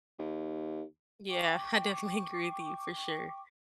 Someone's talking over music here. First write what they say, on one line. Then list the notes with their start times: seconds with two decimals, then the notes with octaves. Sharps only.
Yeah, I definitely agree with you for sure.
0.19 D#2
1.29 G5 C#6 D6